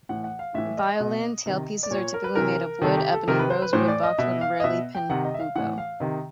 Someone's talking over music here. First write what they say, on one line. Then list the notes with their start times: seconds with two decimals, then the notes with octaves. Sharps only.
Violin tailpieces are typically made of wood: ebony, rosewood, boxwood, or rarely pernambuco.
0.09 A2 E3 F#5
0.24 F#5
0.39 F5
0.54 A2 E3 E5
0.77 D#5
1.00 B2
1.46 C3 D#3
1.83 D5
1.91 A#2 C#5
2.14 A#4
2.24 B4
2.35 C3 E3 A#4
2.82 C3 D#3 A4
2.97 G4
3.12 A4
3.28 C3 D#3 A#4
3.39 B4
3.50 C5
3.62 B4
3.73 A2 E3 C5
3.88 D5
4.03 D#5
4.18 B2 E5
4.41 F5
4.60 D#5
4.64 B2 E5
4.95 G5
5.09 C3 D#3 F#5
5.25 D#5
5.34 E5
5.40 F5
5.56 A2 E3 F#5
5.78 F5
6.00 C3 D#3 D#5